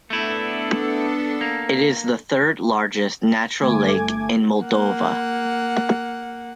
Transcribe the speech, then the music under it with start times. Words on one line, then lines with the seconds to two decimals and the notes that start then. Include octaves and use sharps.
It is the third largest natural lake in Moldova.
0.10 A3 B3 D4 E4 A4
1.41 A#3
3.62 G1 A3 G#5 D6 G#6
4.61 A#3 F#5